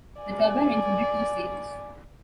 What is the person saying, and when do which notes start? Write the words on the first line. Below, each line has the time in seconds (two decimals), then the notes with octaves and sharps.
The turbine included two stages.
0.22 D5 G#5